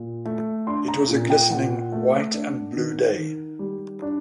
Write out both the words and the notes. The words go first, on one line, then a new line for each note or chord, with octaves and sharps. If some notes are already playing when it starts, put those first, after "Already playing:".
It was a glistening, white-and-blue day.
Already playing: A#2
A3
D4 C6
A#5
A#2
G5
A#2 F#5
A3
D4
D#3
D#3
G3
D4